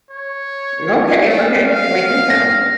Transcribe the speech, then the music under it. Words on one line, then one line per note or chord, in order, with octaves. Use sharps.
Okay, okay, writing it down.
C#5
A3
F5
A#6